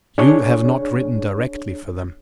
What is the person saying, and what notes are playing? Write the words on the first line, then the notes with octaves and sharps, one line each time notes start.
You have not written directly for them.
D4 G#4 C#5